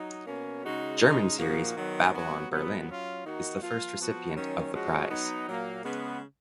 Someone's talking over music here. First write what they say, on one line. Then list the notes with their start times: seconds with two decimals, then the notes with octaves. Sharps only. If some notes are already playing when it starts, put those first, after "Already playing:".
German series "Babylon Berlin" is the first recipient of the prize.
Already playing: F#3 D#4
0.27 B2 A#3 C#4
0.64 C#3 G#3 D#4 F#4
1.01 C#3 G#3 D#4
1.38 A#2 F3 A#3 D#4 F#4
1.76 D#3 F#3 B3
2.13 F#3 B3 F#4
2.50 A#2 F#3 B3
2.87 F#3 C#4 F4
3.24 D#3 A#3 D#4 F#4
3.61 F3 A#3 F4
3.98 F3 B3 F#4
4.36 D#3 F#3 C#4
4.73 F3 G#3 C#4 F#4
5.10 F#3 B3 D#4
5.47 A#2 F#3 A#3
5.84 C#3 G#3 B3